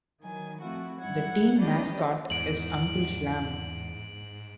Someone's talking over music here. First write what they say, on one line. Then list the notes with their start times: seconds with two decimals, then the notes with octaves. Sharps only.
The team mascot is Uncle Slam.
0.21 D#3 E3 F#3 G#5
0.61 F3 A3 C4 E4 F#4
1.00 G2 F#3 G3 E4 F#5 G#6
1.56 C#4 D4 G4 B4 D5 D#5
2.30 E2 G#2 D7 F#7